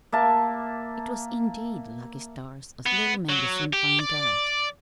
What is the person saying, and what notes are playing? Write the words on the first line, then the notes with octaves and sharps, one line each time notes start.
It was, indeed, "lucky stars," as little Maggie soon found out.
A#3 E5 A5
B3
F#3
G4
D5